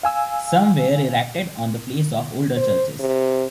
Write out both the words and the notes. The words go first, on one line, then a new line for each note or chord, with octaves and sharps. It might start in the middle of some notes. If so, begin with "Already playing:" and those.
Some were erected on the place of older churches.
F5 G#5 E6
C5
C3